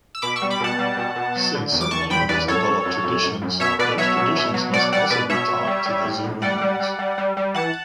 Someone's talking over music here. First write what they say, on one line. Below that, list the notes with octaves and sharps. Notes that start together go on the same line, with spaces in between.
Since certain animals develop traditions, those traditions must also be taught to the zoo animals.
E6
B2 B5 D6
C#6 E6
G3
B5 D6
B2 F#5 A5
G3
B2
B2
F#3
D3
E2
D6
E2 A5 C#6
E2 G5 B5
E2 B4 D5
F#2 A4 C#5
F#2
F#2
F#2
F#2
F#2
B2 C#5 E5
B2 B4 D5
F#3 C#5 E5
B2
B2
F#3
B2 D5 F#5
G3 D5 F#5
B2 B4 D5
B2 C#5 E5
B2
G3
G3
A2
A2
G3 D5 F#5
G3
G3
G3
G3
G3
E3 F#5 A5